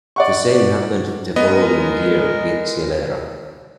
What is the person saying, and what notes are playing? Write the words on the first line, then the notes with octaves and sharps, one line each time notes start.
The same happened the following year with Gilera.
D5 F#5 C#6
G#3 B3 A#4 D#5